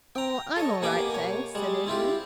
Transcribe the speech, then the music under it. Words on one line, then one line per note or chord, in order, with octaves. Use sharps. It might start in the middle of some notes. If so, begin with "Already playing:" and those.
"Oh! I'm all right, thanks," said Edwin.
G5 A#5
A4 C#5 D#5
B2 A#3 G4 G#5 B5 D6
C#5
G3 G#3
C4 E4 F4 G4